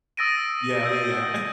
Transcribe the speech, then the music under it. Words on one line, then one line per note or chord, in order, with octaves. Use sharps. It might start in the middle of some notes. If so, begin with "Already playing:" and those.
Yeah, yeah,
D#6 E6 A6 A#6 D7 D#7
D#6 E6 G6 D#7